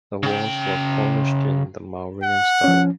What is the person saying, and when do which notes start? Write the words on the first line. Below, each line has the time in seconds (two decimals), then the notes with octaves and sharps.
The walls were polished in the Mauryan style.
0.23 C#3 G5
2.23 F#5
2.64 F3 C#4